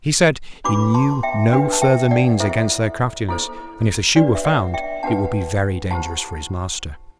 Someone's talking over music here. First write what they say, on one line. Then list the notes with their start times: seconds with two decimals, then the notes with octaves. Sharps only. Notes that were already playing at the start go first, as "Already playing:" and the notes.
He said he knew no further means against their craftiness; and if the shoe were found, it would be very dangerous for his master.
0.64 D4 F#4 B4 B5 D6
0.94 A5 C6
1.23 E5 G5
1.53 D4 F#4 B4
1.73 A5
1.82 E5 G5
2.11 D5 F#5
2.40 E4 A4 C5 E5
3.29 E4 A4 C5
4.16 D4 F#4 B4 D5
4.35 E5
4.45 D5 F#5
4.74 E5 G5
5.03 D4 F#4 B4 F#5 A5
5.91 E4 G4 C5 F#5 A5